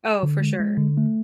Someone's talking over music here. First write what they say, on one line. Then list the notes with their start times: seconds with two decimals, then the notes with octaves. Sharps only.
Oh, for sure.
0.23 D3
0.41 G#3
0.60 G#3
0.78 D3
0.97 A3